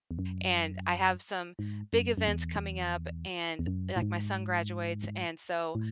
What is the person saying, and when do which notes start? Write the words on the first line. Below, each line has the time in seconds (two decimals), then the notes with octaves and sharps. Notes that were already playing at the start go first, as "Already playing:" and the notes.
and I have some big events coming up, and, like, my son graduates, and so,
0.11 E2
0.19 F#2
1.59 G#2
1.93 F#2
2.18 F#2
2.28 E2
3.59 E2
3.67 F#2
3.96 A2
4.02 G#2
5.75 A2